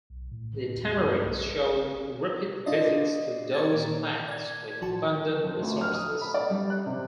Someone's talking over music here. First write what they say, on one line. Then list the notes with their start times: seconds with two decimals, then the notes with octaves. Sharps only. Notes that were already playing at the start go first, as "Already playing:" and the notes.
The tamarins show repeat visits to those plants with abundant resources.
0.10 B1
0.31 A2
0.77 E2
1.03 G2
1.22 B1
1.53 G1
2.66 D4 F4 D5 D#5
3.54 C#6 G#6 A6
3.72 A#2 D#3
4.28 D5 G#6
4.81 A1 F3 F#4 A5
5.43 F2
5.61 D2
5.81 F6
5.94 D#6
6.08 A4
6.21 B5
6.34 D5
6.50 G3
6.70 F#6
6.86 C3